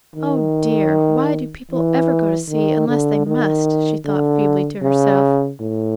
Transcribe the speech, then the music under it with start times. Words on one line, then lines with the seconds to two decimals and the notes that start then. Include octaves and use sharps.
"Oh, dear, why do people ever go to sea, unless they must?" she thought feebly to herself.
0.16 D#3
1.71 E3
2.49 D#3
2.88 D3
3.27 D#3
4.05 D3
4.82 C#3
5.61 A2